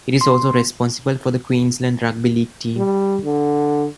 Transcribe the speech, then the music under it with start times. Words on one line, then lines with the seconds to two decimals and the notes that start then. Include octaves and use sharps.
It is also responsible for the Queensland Rugby League team.
0.21 C6
2.76 G3
3.24 D3